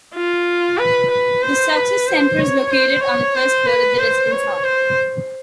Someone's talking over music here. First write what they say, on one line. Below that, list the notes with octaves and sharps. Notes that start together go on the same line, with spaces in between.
The Success Center is located on the first floor of the residence hall.
F4
B4
B4
C5
B4
C5
C#5
C5
C#5
C5
B4
C5
C#5
C5